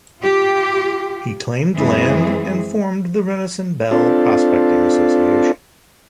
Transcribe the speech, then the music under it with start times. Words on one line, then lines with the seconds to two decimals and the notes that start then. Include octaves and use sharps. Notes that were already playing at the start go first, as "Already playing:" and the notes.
He claimed land and formed the Renison Bell Prospecting Association.
0.19 F4 G4
1.76 F#2 E3 G#3 C4 G#4
3.91 C4 D4 F4 A4